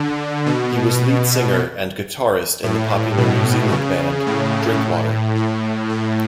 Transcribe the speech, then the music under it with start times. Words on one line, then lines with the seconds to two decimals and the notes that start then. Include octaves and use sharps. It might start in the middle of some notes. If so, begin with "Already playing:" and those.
He was lead singer and guitarist in the popular New Zealand band Drinkwater.
Already playing: D3
0.46 B2
2.64 A2
3.18 B2
3.72 C#3
4.27 A2
4.81 A2
5.35 A2
5.90 A2